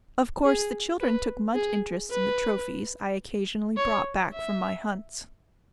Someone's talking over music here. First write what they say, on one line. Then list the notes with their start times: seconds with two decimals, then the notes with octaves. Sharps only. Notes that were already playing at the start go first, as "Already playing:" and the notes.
Of course the children took much interest in the trophies I occasionally brought back from my hunts.
0.45 G#4
1.01 B4
1.55 G#4
2.11 B4
3.77 C#5
4.33 E5